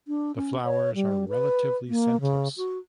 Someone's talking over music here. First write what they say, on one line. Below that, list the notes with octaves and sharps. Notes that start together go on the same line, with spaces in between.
The flowers are relatively scentless.
D4
C#4
C#5
G3
B4
A#3
C#3
F#4